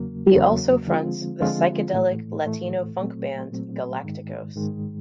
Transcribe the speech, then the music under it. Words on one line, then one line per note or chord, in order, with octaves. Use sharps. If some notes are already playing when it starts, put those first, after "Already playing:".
He also fronts the "psychedelic latino-funk" band Galaktikos.
Already playing: E2 C#3 F#3 A#3
E2 C#3 F#3 A#3
D3 F3 G#3 C4 F4
D3 F3 G#3 C4 F4
A2 E3 A3
A2 E3 A3
A#2 F#3 A3 C4
A#2 F#3 A3 C4
G#2 D#3 G#3
G#2 D#3 G#3